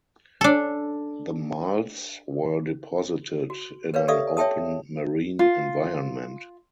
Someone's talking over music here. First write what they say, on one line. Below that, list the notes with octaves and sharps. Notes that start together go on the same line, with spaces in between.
The marls were deposited in an open marine environment.
D4 A4
F#4
A#4 B4 C#5 F5
G4 A4 D5 E5 F5 D#6
C#5 E5 G5 A5 D#6
F4